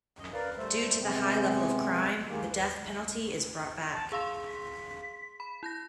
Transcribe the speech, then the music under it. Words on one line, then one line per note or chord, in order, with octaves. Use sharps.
Due to the high level of crime, the death penalty is brought back.
F#2 D#5
A#4 B4 D5 F5
G3 A3 C5 E5
C3 G#3 B3 C4
D#3 G#3 A#3 G4
D#2 B4
A5
G#4 F5 C6 E6
B6
B5
E4 G6 A#6